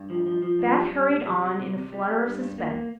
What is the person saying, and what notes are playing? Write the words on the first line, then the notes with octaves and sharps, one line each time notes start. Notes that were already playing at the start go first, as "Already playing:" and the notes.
Beth hurried on in a flutter of suspense.
Already playing: G2
F3
F3
F3
G2
G3
G3
C3
G3
C3
C3
C3
G3
G3
G2
G2
A#3